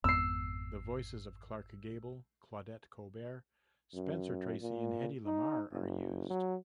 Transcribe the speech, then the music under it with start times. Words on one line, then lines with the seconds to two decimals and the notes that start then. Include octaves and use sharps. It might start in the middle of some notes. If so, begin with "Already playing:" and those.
The voices of Clark Gable, Claudette Colbert, Spencer Tracy, and Hedy Lamarr are used.
0.04 G#1 F2 B3 E6 C7
3.94 F#2
4.62 A#2
5.26 D#4
5.72 F#1
6.30 F#3